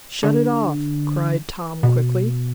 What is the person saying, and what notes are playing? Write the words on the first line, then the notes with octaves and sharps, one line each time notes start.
"Shut it off!" cried Tom quickly.
D3
B2